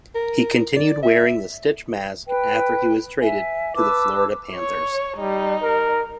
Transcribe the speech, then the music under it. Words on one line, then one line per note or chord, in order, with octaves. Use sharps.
He continued wearing the stitch mask after he was traded to the Florida Panthers.
A#4
D5
E5
B4 G5
E5 G#5
B4 A5 D6 E6
C#5
G3 D#4
A#4